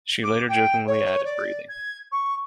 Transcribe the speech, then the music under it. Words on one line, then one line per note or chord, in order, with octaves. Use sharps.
She later jokingly added breathing.
D6
G5
C#5
D5
G#6
C#6